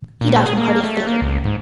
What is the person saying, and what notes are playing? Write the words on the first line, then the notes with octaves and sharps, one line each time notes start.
He died from a cardiac failure.
A#2
G#4
A#3
A3
A#3
C#2
G#2